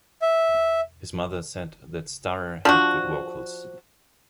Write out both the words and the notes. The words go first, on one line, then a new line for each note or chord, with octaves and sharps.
His mother said that Starr had good vocals.
E5
F3 D4 F#4